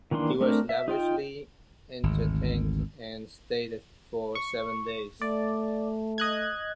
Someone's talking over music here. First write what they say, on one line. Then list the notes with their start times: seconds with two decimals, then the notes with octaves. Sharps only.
He was lavishly entertained and stayed for seven days.
0.11 D#3 E3 A#3 D4 C6
0.41 A3 C4 D4 A#4
0.69 E5
0.88 D#4 F4 G5
2.03 G#1 D2
4.35 C#6
5.21 A3 D5
6.18 D#5 F#6 G#6